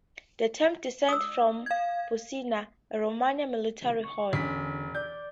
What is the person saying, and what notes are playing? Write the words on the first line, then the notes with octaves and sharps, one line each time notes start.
The term descends from "Buccina", a Roman military horn.
D#6 E6
F5 G#6
C#6
E1 D3 C#4 B6
D5 G6